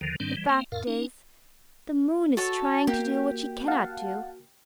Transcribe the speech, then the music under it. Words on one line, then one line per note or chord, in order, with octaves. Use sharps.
The fact is, the moon is trying to do what she cannot do.
D#2 D3 D#3 F3
G#2 D#3 G3 C4 D4
E3 G3
A#3 C4
F2 A2 A#4 F5
C#4 D#4
F#4 A4 C#5 A5
A#3 G4
F5 F#5 A5